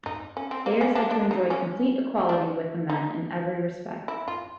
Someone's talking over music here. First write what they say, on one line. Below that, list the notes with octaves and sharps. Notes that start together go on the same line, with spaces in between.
They are said to enjoy complete equality with the men in every respect.
D#4
C#4
C4
A#3
C#4
D4
D4
D#4
C#4
D4
D#4
E4
F4